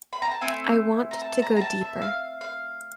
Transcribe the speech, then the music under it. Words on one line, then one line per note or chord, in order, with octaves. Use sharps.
I want to go deeper.
B5
A#5
A5
A3 C4 E4 G#5
A#5
A5
A#5
A#5
A5
E5
F5
F5